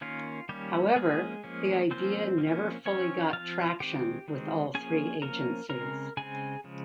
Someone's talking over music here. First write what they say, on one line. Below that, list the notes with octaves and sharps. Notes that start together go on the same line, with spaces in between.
However the idea never fully got traction with all three agencies.
D#3 A#3 C#4 F4
D#3 G3 A#3 C#4 G4
F3 G#3 A#3 C#4 G#4
F3 A#3 C#4
F3 A#3 C4 C#4 C5
F3 A#3 C#4
F3 C4 C#4 C#5
F3 C4 F4 F5
D#3 G#3 C4 G4 G5
D#3 G#3 C4
F3 A#3 C#4 G#4 G#5
F3 A#3 C#4 A#4 A#5
C#3 G#3 C4 A#4 A#5
C#3 G#3 C4 G#4 G#5
C#3 F3 G#3